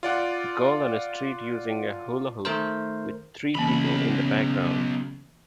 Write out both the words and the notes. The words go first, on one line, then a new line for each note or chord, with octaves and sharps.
Girl on a street using a hula hoop, with three people in the background.
F4 D5 F#5
D#3 A3 A#4 C5
B1 C#3 E3 A#3 B5